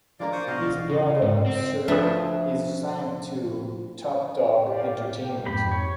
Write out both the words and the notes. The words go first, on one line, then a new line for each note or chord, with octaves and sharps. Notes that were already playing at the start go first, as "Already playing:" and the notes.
His brother SiR is signed to Top Dawg Entertainment.
F3 G#3 A#3 D4 A#4 D5
C5 C#6 D#6
B2 D3 F4 F#4 G#4 D#5 F5
C#3
G#2
C4
D2 F3 D4 B4 E5 D#6
G4 D5 F5
G4
F2 G#2 G4 B5
C#5